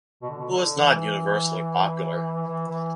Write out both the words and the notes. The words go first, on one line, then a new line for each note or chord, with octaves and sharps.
It was not universally popular.
B2
D3
B2
D3
E3
E3
E3